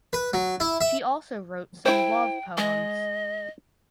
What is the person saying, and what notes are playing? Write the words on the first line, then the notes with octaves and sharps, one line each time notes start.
She also wrote some love poems.
B4
F#3
E4
E5
E4 C5 G5
G#3 D#5